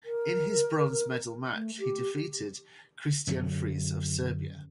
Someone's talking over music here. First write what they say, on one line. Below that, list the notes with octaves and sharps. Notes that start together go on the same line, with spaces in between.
In his bronze medal match he defeated Kristijan Fris of Serbia.
A#4
A3
G4
F#2 D3 F#3